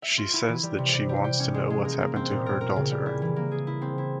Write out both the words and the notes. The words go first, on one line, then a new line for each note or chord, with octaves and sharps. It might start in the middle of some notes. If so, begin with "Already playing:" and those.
She says that she wants to know what happened to her daughter.
E5
F4
E4
E3
G3
C3
G3
G3
G4
C#4
G#3
G#3
A#3
A#3
C4
A#2
A#4
A#4
C#3
G3
E4
E3
A#3
G#4
E4
C4
E4